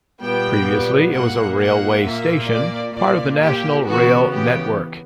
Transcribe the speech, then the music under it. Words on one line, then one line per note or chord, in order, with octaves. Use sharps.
Previously it was a railway station, part of the National Rail network.
A#2 G3 B3 G5
A#2 A#3 F#5
F#5
A#2 A#3 E5
D5
A#2 A#3 D5
G4
C#3 E3 B3 F#4
G4